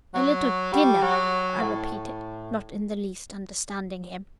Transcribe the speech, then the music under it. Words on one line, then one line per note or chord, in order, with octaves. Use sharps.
"A little dinner?" I repeated, not in the least understanding him.
F#3
G3
F#3
A2